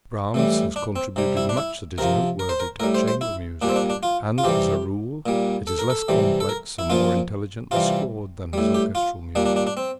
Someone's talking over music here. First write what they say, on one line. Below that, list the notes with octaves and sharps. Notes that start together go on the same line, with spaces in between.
Brahms has contributed much that is noteworthy to chamber music, and, as a rule, it is less complex and more intelligently scored than his orchestral music.
A2 E3 G3
D4
C4
C3 G3
E4
D4
E4
C3 F3 A#4
A#4
C5
A#4
A2 G3 A#4
C5
C5
E4
A#2 G3 D4
C4
D4
D4
F4
F4
C3 E3 G3 G4
A#2 G3
A4
A#4
A4
C3 E3 G3
A4
A#4
E4
A#2 F3 F4
C3 E3 G3 F4
A2 G3
G4
F4
A#2 G3 D4
D4
D4
D4
C4